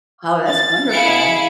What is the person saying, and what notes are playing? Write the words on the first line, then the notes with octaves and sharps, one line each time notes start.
Oh, that's wonderful.
A6
E4 G#4 F5 C#7 D7